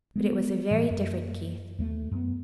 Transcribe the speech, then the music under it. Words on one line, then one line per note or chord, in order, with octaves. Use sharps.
But it was a very different Keith.
G#3 A#3 B3
A2 E3 G3
F#2 A#3
D#2 G3 A3
F#2 B3